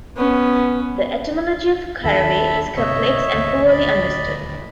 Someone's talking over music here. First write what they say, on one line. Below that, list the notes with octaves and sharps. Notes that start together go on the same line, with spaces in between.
The etymology of caraway is complex and poorly understood.
B3 C#4
D#2 D#3 D4 A4 E5 B5
G1 C3 C#5 D#5 E5
D#1 D2
D5 D#5 B5